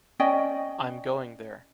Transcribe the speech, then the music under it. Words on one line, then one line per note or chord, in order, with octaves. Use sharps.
I’m going there.
C#4 D5 D#5 G5